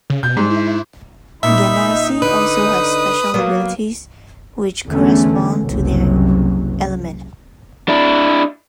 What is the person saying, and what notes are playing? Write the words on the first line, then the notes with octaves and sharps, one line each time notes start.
Genasi also have special abilities which correspond to their element.
C#3
B2 G6
G#2 G3
E4
A#2 D#4 E5 B5
D3 B4 D#6
F#3 A#3 B3
E2 D3 A3 C#4
F#1 C2 F#3
D4 E4